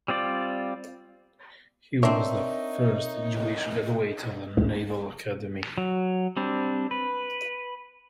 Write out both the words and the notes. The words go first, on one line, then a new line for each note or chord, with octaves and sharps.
He was the first Jewish graduate of the Naval Academy.
G3 C4 F4 D5
C4 D4 D#4 A#4 C#5 E5
F#3
G3 C4 D4
B4